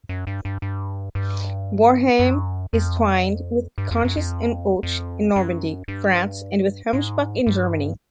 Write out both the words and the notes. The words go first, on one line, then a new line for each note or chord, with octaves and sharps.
Wareham is twinned with Conches-en-Ouche in Normandy, France and with Hemsbach in Germany.
F#2
G2
G2
G2
G2
F#2
F2
G2
F2
F#2
F2
F2
F#2
G2
G#2
G2